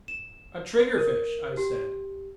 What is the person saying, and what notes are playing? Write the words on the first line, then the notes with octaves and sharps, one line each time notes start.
"A triggerfish," I said.
E7
A#4
G4